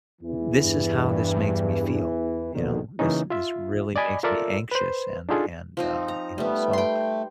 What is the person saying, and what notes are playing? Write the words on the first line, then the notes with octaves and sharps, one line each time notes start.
"This is how this makes me feel," you know? "This this really makes me anxious," and and, uh, you know? So,
E2 E3
G2
A#1 B2 D3 D#3
C#3 E3 A#3 C#4 D#4
F4 E5
D5 D#5 G#5 B5 D6
F4 A4 A#4 D5 E5 E6
B4 C5
D4 D#4 F4 G#4 A4
F3 C4 D#4
A#5
G3 A3 B3
G5 C6